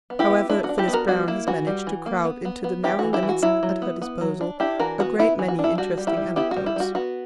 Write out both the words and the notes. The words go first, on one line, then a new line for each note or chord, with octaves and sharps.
However, Phyllis Browne has managed to crowd into the narrow limits at her disposal a great many interesting anecdotes.
B3
E4 G4
B3
D4 E4
F#4
D4
E4 G4
B3
F#4 A#4
G3 F#4
A#3 E4
E3 F#4
G3
E3
A#3
B3
B3
B3
E3 E4 G4
E3 F#4
E4 G4
E3
F#4
F#3 E4
F#3
B3
B3
F#3
D4
D4 E4 G4
E3 F#4 A#4
B3 F#4
B3 E4
E3
F#4
D4
E4
G3 F#4
G3
E4 G4
G3
B3 E4 G4
F#4
G3
E4
G3 F#4
B3 F#4